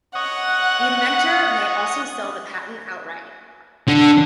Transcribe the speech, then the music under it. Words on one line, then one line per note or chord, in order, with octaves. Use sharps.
The inventor may also sell the patent outright.
C#5 D#5 F#5
D3